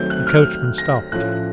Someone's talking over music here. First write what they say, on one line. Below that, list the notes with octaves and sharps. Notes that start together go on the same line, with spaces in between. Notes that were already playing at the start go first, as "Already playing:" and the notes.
The coachman stopped.
Already playing: D#3 F#3 A3 C4 G6
F#6
F6
A#6
A2 F3 A3 C#4 F#6